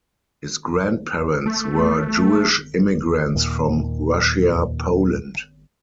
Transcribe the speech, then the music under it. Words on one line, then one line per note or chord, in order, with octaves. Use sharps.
His grandparents were Jewish immigrants from Russia-Poland.
A3
D#2 A#2